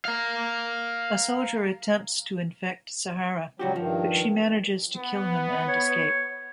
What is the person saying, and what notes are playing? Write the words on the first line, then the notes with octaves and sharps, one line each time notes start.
A soldier attempts to infect Sahara, but she manages to kill him and escape.
A#4 F5
C#2 F#3 G3 F#4 G4
G2 D#3 F3
B3
C#5